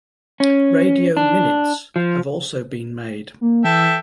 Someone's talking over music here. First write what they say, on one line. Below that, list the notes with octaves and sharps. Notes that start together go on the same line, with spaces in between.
"Radio minutes" have also been made.
C#4
D4
F3
A#3
E3 A4 E5 G5